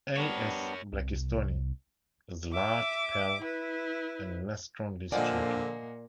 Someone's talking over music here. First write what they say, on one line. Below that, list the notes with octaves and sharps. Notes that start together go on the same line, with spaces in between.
"A. s. blakistoni" is large, pale and less strongly streaked.
G3 B3 D4 A#4 C#5
C2
E5 D6
E4 B4
A#2 D3 F3 A#3 D5 D#5 F#5 G#5